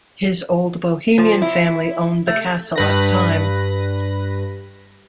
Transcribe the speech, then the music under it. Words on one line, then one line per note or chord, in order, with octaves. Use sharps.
His old Bohemian family owned the castle at the time.
F3
E4
A3
G2 B4 A#6